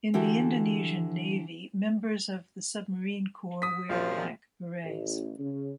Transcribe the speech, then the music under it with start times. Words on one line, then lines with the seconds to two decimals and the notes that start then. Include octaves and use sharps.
In the Indonesian Navy, members of the Submarine Corps wear black berets.
0.14 D3 E3 F#4 G4 A4
3.62 D#6 B6
3.89 A#1 F#2 C3 F3
4.83 A1
5.39 C#3